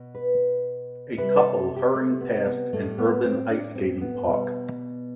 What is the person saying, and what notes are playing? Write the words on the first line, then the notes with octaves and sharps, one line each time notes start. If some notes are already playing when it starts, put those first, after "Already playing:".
A couple hurrying past an urban ice skating park.
Already playing: B2
B4
C3 G3 B4
A4
A4
G4
A3
B3
B3
A2 G3 A3
B3
C4
D4
C4
B3
B2 G3